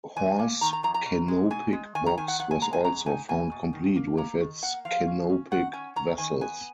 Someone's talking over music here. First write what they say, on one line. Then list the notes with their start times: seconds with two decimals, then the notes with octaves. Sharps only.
Hor's canopic box was also found complete with its canopic vessels.
0.17 F2 G#5
0.39 A#3
0.61 D#3 A#5
0.73 A#5
0.83 F2 A#5
0.94 A#5
1.06 B2
1.28 G#3
1.51 B2 G#5
1.73 G#3
1.95 D#3 G#5
2.06 A#5
2.18 D#3 G#5
2.28 F#5
2.39 F2 F#5
2.51 G#5
2.62 G#3 A#5
2.73 G#5
2.84 B2 A#5
3.06 D#4 G#5
3.28 B2 G#5
3.52 B2
3.73 D#3
3.96 A#3
4.17 A#3 A#5
4.40 D#3
4.62 A#3 F#5
4.85 F3 F5
5.07 C#4
5.29 C#4
5.51 D#3 F#5
5.73 C#4 G#5
5.96 C#4 A#5
6.18 D#3 G#5
6.41 B3 G#5